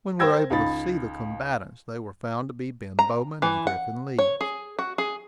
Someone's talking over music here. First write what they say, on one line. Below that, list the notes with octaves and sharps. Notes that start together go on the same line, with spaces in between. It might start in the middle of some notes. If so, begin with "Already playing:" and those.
When we were able to see the combatants, they were found to be Ben Bowman and Griffin Leeds.
A#4 C5 G5 E6 G#6 A#6
C#2 D#4 B5 A6
A#5
E3
F#5
C#5
G#4
F#4
G#4